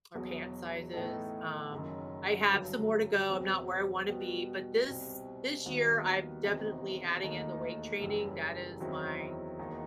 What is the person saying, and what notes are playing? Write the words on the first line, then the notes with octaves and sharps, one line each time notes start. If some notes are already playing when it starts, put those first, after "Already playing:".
or pant sizes. Um, I have some more to go. I'm not where I wanna be. But this this year, I'm definitely adding in the weight training. That is my,
E1 E2 B2 F#3
A2 E3 B3 D#4 A4
F#1 F#2 D#3
G1 G2 F#3
E2 B2 F#3 C4
B2 G3 B3 F#4
C2 B2 G3 C4
D#2 D#3 G3 B3 F#4
E1 E2 C3 D#3
E1 D#2 D#3 A3 D#4
F#1 F#2 E3 G3
E2 D#3 F#3 C4 E4
E1 D#2 D#3